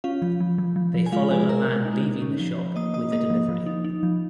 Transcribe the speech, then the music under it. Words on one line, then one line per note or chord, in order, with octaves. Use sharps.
They follow a man leaving the shop with a delivery.
C#4 F4 F5
F3
F3
F3
F3
F3
G#5
G#3 F4 F5
G#3 G#4 G#5
G#3 A#4 A#5
G#3
D#4
D#4
C#4
F3
F3
A#3 D#5 D#6
A#3 D#5 D#6
A#3 D#5 D#6
F3
F3
D#4
D#4
F3